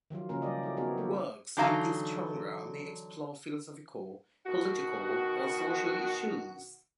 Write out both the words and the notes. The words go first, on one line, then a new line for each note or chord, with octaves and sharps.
Works in this genre may explore philosophical, political, or social issues.
D#3 F3 F#3 F4
C#3 F3 A#3 C#4 A#4
G3 G4 D5 D#5
E4 A4
B3 C4 D#4 F#4 G#4 A#4
F#3 A#3 G4 A4
D3 E3 F#3 D#4 F5 A5
B2 D#3 F#4